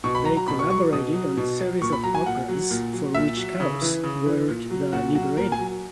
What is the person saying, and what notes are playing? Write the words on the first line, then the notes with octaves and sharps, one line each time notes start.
They collaborated on a series of operas, for which Coutts wrote the libretti.
B2 C#6
B5
F#3 A#5
A#5
B2 B5
C#6
F#3 C#6
B2 D#6
F#3
B2
F#3
A#2 C#6
B5
F#3 A#5
G#5
A#2 F#5
F#3
A#2
F#3
A#2 E5
F#3
C#3
E3
C#3
E3
A#2
F#3
A#2 F#4
F#3 F#4
A#2 A#4
G#5
F#3